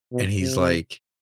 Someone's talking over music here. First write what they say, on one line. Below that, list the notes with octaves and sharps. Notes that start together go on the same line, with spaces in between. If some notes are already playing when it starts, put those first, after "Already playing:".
and he's like,
B2
C3